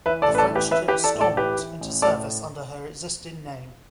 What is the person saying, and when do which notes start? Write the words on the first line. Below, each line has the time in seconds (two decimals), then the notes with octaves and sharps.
The French took "Stormont" into service under her existing name.
0.06 E3 B4 E5
0.22 A4 D5
0.28 A1
0.35 B4
0.38 A4 D5
0.50 E3
0.55 G4 B4
0.71 E3 B4 E5
0.88 G4 B4
0.94 E3
1.04 A4 D5
1.15 A2
1.21 A4 D5
1.37 E3 G4 B4
1.59 E3
1.81 A1
2.02 A2 A4 D5